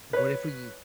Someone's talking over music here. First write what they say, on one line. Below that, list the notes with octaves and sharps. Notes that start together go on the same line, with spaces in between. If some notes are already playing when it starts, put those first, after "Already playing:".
what if we
B4 C#5